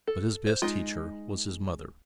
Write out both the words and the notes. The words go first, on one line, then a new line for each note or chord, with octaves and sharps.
But his best teacher was his mother.
A4
C5
G#3 D#4 F4